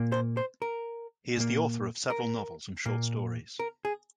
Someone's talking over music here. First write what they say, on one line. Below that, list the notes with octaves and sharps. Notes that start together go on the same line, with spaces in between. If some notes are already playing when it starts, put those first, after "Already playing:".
He is the author of several novels and short stories.
Already playing: A#2 A#3
C5
C5
A#4
A#2 A#3
A#4
A#2 A#3
A#4
G#4